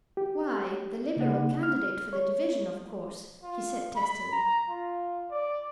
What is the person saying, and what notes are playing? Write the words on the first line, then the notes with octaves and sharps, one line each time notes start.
"Why, the Liberal candidate for the division, of course," he said testily.
G4
C#3 A#3 D#4 F#5
F6
C#5
F4
B5
A#5
F4
D5